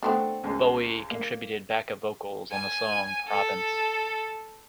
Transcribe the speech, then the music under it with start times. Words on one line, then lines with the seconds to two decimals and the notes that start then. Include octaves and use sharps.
Bowie contributed back-up vocals on the song "Province".
0.03 A3 B3 C4 D4
0.43 C#2 F#2
1.11 A#3
2.51 G#5
3.28 A4